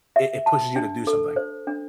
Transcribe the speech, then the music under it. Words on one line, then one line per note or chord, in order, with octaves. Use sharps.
it it pushes you to do something.
E5
A5
D4
A4
C5
D4